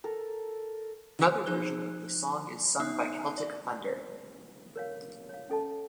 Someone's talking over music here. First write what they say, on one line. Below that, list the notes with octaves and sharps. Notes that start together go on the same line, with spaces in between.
Another Version of the song is sung by Celtic Thunder.
A4 A#4
F3 D#4 G#4 C5 F#6 G7
B3 D#4 E5 D#6 F#6 C7
D5
A#4 C#5 F5
C#5 F5
C#4 A4 D#5 A5